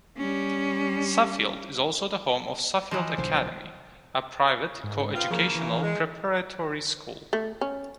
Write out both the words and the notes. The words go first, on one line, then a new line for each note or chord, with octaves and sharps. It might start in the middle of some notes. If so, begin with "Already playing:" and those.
Suffield is also the home of Suffield Academy, a private coeducational preparatory school.
G3 C#4
E3 F3 D#5
B1 D3 C5
G#2
B3 C4 F4
C#3 F3 A#3
E3
G#3
A3
C#4